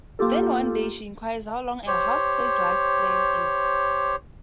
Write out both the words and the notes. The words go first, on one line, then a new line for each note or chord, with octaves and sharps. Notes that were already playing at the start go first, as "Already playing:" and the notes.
Then one day she inquires how long a housefly's life span is.
A#3 F4 G4 A4
G4 C5 C#5